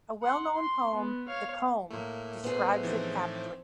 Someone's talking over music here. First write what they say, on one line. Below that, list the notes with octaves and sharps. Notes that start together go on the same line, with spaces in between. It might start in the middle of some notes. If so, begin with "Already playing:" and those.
A well-known poem, "The Combe," describes it aptly.
F#5 C6
C6
B3
C#5 F5
A2 A3 A#3
B3 G#4 C5
E3 F3 C4 D#4